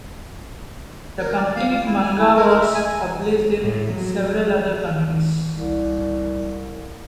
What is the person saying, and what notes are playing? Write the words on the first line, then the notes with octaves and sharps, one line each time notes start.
The complete manga was published in several other countries.
A#4
D5
F5
F4
E4
G#5
E4
A#4
E5
G#5
A2
F#3
C2